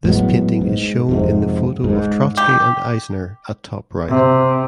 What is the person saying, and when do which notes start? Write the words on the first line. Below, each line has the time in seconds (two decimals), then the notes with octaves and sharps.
This painting is shown in the photo of Trotsky and Eisner at top right.
0.05 A2 F#3 G#3 B3
0.61 G#2
1.09 F2 G#2 C3
1.84 G#2
2.37 G4
4.08 C3